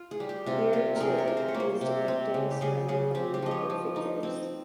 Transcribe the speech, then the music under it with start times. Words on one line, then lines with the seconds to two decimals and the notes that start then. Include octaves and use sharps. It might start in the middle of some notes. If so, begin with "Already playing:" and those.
Here, too, he was depicted surrounded by mythical figures.
Already playing: F4
0.11 G#4
0.20 G3
0.29 G4
0.46 C3 F4
0.73 G3 F4
0.96 C3 G#4 A#4
1.18 A#4
1.27 F4
1.37 C5
1.48 C#5
1.54 A#3
1.60 C5
1.81 C3
2.08 C4
2.34 C#3
2.51 G4
2.61 C#3 G#4
2.88 C#3 G#4
3.15 C4 G4
3.34 G4
3.42 F3 D#5
3.51 C#5
3.70 F3
3.96 D#4
4.23 C4